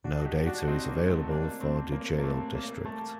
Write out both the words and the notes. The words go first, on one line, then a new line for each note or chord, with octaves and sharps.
No data is available for Dujail District.
D4 F#4
F#4
D#4 G4
D4 F#4
C4 D#4
A#3
A3 C4
A#3 D4
A3 C4
A#3
A#3
A3 C4
A#3
A3